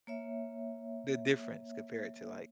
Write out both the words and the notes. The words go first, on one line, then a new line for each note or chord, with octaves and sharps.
the difference compared to like
A#3 C#5 E5